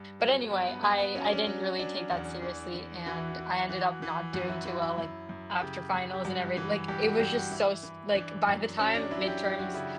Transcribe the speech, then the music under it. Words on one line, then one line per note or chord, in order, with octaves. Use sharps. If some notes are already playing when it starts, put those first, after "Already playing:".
but anyway, I I didn't really take that seriously and I ended up not doing too well, like, after finals and every like, it was just so s like, by the time midterms
Already playing: G2
F#3
G2 B3
B3
G2 B3
B3
F#3 C#4
D4
C#4
F#3
F#3 D4
E2
E3
E3
E3 F#4
E4
F#4
E3
E3 F#4
E3
F#2 F#4
E4
E3 F#4
E4
F#2
F#2
C#3 G4
F#2
G4
G2 F#4
E3
G2 G4
F#4
G2 G4
F#4
E3 E4
E3
E3 D4
F#2
F#3 C#4
D4
F#3 E4
G4
F#3 G4
F#4
C#3 E4